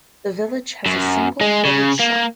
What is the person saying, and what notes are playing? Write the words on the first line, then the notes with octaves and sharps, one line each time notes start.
The village has a single village shop.
F#2
G#3
C#3
A#3